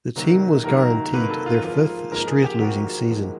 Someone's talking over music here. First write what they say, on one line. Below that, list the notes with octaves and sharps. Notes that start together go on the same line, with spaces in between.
The team was guaranteed their fifth straight losing season.
C3 D#3 F#3 A#3
C3 D#3 F#3 A#3 A#4
C3 D#3 F#3 A#3 B4
A4
F4
G#2 F3 A#3
G#2 F3 A#3 A#4
G#4
G4
G#2 F3 A#3 F#4
G#2 F3 A#3